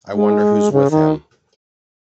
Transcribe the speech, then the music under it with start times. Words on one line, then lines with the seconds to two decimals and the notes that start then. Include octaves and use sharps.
I wonder who’s with him.
0.14 G#3
0.72 C#3
0.91 D#3